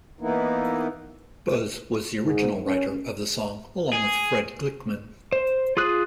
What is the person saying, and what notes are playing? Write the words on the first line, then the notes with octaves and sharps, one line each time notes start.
Buz was the original writer of the song along with Fred Glickman.
E3 A#3 B3 D#4 E4
G#2
C#4
G#4
C5
F4 G#4 D#6 F#6